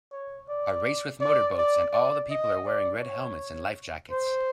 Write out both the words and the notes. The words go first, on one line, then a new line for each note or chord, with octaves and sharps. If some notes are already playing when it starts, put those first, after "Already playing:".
A race with motor boats and all the people are wearing red helmets and life jackets.
C#5
D5
D5
D5
D5
D#5
D5
C#5
C5